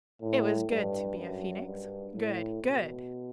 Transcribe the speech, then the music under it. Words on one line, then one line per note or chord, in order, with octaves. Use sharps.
It was good to be a Phoenix, good, good!
A2
G2
F#2
G2
A2
B2